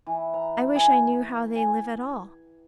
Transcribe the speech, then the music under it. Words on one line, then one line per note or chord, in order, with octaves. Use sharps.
I wish I knew how they live at all.
E3
A#5
G#4
G#5